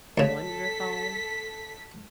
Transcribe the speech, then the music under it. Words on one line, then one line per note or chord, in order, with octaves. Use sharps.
on your phone,
D2 C#3 A4 B6